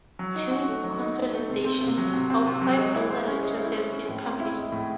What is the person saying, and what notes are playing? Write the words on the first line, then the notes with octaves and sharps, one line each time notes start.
Two consolidations of five older lectures have been published.
F#3
D#4
F#4
A3
F#3
D#4
F#4
A3
C3
C4
C3
F#3
C3
C4
C3
F#3
G#3
E4
C5
C#4
G#3
E4
C5
C#4
A2
C4
E4
G#3
A2